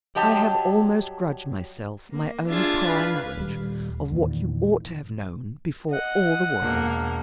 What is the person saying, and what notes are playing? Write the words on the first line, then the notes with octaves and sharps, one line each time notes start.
I have almost grudged myself my own prior knowledge of what you ought to have known before all the world.
G2 F#3 G4 D#5 A5
A#3
D4 F4 G#4 E5 G#6 A6
B4 F5
D#1 G3
E2 A#2 D#3 E3
D#5 F#5
E1 A#3